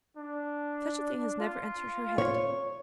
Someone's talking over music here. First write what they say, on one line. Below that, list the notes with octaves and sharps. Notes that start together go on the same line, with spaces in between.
Such a thing has never entered her head.'
D4
F4
C#5